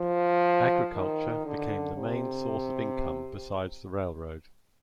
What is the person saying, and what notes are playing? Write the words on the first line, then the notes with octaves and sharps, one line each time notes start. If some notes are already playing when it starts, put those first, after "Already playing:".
Agriculture became the main source of income besides the railroad.
Already playing: F3
D#3
D3
C3